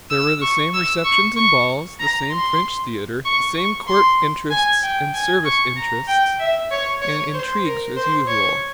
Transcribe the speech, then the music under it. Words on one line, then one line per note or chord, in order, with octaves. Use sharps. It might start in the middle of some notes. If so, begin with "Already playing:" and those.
There were the same receptions and balls, the same French theater, the same court interests and service interests and intrigues as usual.
E6
C#6
E6
C#6
C#6
A#5
C6
C#6
C#6
C6
G#5
G5
G#5
C#6
A#5
G5
E5
C#5
C#5
C5
A#4
C5
C#5